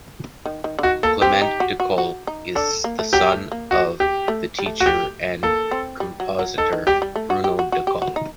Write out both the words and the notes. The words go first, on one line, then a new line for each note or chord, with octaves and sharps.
Clément Ducol is the son of the teacher and compositor Bruno Ducol.
D#3
D#3
D3
D#3 F#4
A#3 A4
C4 G4
D#4
F#4
F#4
F#4
D#4
D4 A4
A#3
A3
F#3 G4
A3
A#3
F#4
G4
A3
G3
A3
F#4
G4
A#3 A4
C4
G3
F#3
F#3
D#3 A4
D#3
G3 G4
G3
A3
F#4
G4
F#4
F#4
G4
F#4
D#4